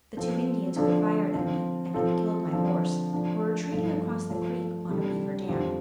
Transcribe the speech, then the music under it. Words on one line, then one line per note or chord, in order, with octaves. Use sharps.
The two Indians who had fired at me, and had killed my horse, were retreating across the creek on a beaver dam.
F3 C4 A4
D3 F3 D4 A4
F3 C4 F4
F3 C4 F4 A4
D3 F3 C4
F3 D4 A4
G2 F3 A3
F3 A3 F4 A4
C3 G3 D4 A4
F2 D3 F3 C4 G4